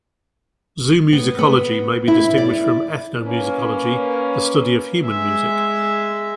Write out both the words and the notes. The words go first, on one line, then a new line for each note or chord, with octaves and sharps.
Zoomusicology may be distinguished from ethnomusicology, the study of human music.
B3
B3
E4
D5
A#3 C#4 B4
G#3 E5